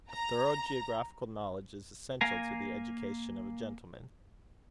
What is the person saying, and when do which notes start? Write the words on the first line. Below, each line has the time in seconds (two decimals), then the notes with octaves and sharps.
A thorough geographical knowledge is essential to the education of a gentleman.
0.11 A#5
2.21 A#3 F5 G#5 A#5